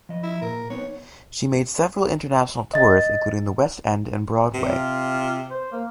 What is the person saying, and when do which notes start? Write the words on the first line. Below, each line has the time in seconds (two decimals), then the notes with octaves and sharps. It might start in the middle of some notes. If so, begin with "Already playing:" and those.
She made several international tours including the West End and Broadway.
0.09 F3 D#5
0.23 E4
0.42 A#2 A#4
0.70 B3 C4 D#4 C#5
2.74 D#5 A6
4.54 C3
4.70 F4
5.50 C5
5.72 A#3